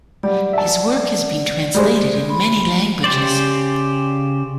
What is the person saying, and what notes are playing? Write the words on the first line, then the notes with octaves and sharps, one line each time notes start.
His work has been translated in many languages.
F#3 G3 D5
E5 A5
G3 G#3 C5
B5 C6
C#3 G4 C5 D5